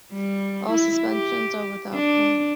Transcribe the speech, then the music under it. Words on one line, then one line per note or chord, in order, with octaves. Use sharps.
All suspensions are without pay.
G3
E4
G4
D4